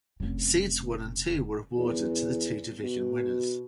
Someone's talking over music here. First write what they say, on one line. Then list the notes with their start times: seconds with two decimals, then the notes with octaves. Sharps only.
Seeds one and two were awarded to the two division winners.
0.20 F1 C#3
1.78 E2
2.83 B2